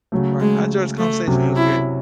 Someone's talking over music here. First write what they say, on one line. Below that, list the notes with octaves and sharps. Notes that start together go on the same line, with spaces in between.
Right. I enjoyed this conversation, it was great.
C#3 F#3 A3
G#3
A3
C3 F#3 C#4
E4